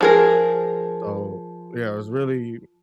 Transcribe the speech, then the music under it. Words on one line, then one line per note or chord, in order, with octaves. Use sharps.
so, yeah, it's really
F3 G#4 A#4